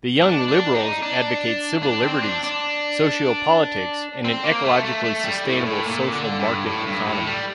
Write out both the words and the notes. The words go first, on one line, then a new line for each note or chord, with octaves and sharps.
The Young Liberals advocate civil liberties, sociopolitics and an ecologically sustainable social market economy.
D4
D4
D#4
D4
D4
C4
D4
D4
C4
A#3
A3
A3
A3
G3
A2
A2
A#2
D3
G2
A2
G2
A2
G3